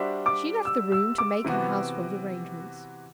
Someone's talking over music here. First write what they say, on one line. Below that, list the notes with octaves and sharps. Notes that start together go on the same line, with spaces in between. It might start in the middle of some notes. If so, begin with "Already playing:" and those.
She left the room to make her household arrangements.
Already playing: G3 D4 F#4 C5 E5
D6
E6
E6
D6
C3 E3 B3 F#4